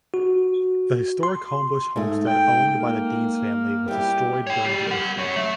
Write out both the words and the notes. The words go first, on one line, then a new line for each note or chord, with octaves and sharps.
The historic Homebush Homestead owned by the Deans family was destroyed during the earthquake.
F#4
C6
G#2 A3
G5
A#3
G3 E4 G4
C#5 G5
F#3 G4
A#4 F#5
F#2 C#5
A3 E5